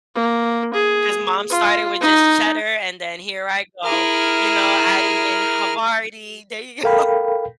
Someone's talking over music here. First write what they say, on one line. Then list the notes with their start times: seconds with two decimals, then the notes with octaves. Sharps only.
'Cause mom started with just cheddar, and then here I go, you know, adding in Havarti there you go.
0.15 A#3
0.74 G#4
1.50 F4
2.01 D#4
3.84 E4 G#4 A#4 F6
6.83 A4 A#4 F5 G5 B5